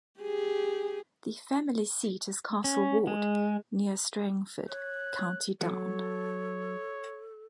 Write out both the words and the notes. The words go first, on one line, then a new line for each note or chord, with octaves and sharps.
The family seat is Castle Ward, near Strangford, County Down.
G4 G#4
C#4
G#3
C#5 F#6
F#3 A4 C#5